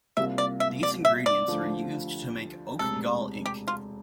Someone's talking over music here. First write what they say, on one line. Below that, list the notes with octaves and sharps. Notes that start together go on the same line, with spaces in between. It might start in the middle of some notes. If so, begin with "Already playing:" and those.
These ingredients were used to make oak gall ink.
C2 C3 G3 A#3 F4 E5
D5
E5
D5
E5
D5
D2 D3 F3
E1 D2 C3 A4
G4
F4